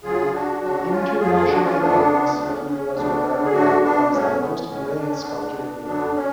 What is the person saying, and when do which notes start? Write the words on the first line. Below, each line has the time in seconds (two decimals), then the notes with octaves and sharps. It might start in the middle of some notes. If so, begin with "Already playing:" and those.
Internationally famous, he was regarded as the most brilliant sculptor in Europe.
0.04 D2 C#3 F#3 F4 G#4
0.32 D4 F#4
0.61 D2 C#3 F#3 D4 F#4
0.84 D4
0.90 C#4 F4
1.20 F2 F3 A3 F4 G#4
1.34 F4 G#4
1.48 D4 F#4
1.64 C#4 F4
1.78 F2 F3 A3 B3 D4
2.36 D2 C#3 F3 A3 D4
2.48 C#4
2.59 B3
2.69 C#4
2.94 D2 C#3 F3 A3 B3 D4
3.44 G#4
3.52 G#2 F#3 A3 D4 F#4
3.82 B3 D4
4.07 B3
4.10 G#2 F#3 A3 C#4
4.40 B3
4.57 B3
4.68 A2 G#3 C#4
4.97 D4
5.09 C#4
5.20 B3 D4
5.27 A2 G#3
5.85 F#2 D3 F#3 B3 D4
6.15 C#4